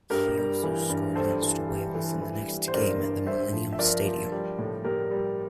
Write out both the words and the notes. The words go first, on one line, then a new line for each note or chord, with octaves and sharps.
He also scored against Wales in the next game at the Millennium Stadium.
G2 G4 A#4
G3
E3
G2
G3 A4 C5
E3
G3
E3
E3
G3
C5
G2 A#4 D5
G2
G2 C5 E5
F3
E5
F3 A#4 D5
F3
G3
A2
A2 G4 A#4
G3